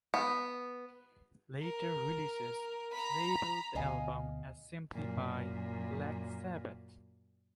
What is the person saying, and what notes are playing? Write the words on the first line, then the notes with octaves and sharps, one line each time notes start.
Later releases label the album as simply by "Black Sabbath".
B3
A#4
A#5 B5
D2 B2 D#5 F5 G#5
F#2 A#2